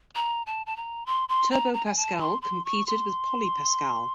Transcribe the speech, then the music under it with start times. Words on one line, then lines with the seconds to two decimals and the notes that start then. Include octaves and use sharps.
Turbo Pascal competed with PolyPascal.
0.15 A#5
0.46 A5
0.66 A5
0.77 A#5
1.06 C6
1.29 C6
1.52 A#5
1.74 A#5
1.85 G#5
1.97 A5
2.20 C6
2.42 C6
2.65 C#6
2.87 C6